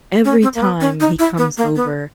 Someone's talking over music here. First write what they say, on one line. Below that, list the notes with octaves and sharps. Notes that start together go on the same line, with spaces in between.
every time he comes over
C#4
C4
A#3
B3
C#4
D#4
E4
B3
A#3
B3